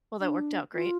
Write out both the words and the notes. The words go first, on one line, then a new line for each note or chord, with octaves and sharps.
Well, that worked out great.
D4
F4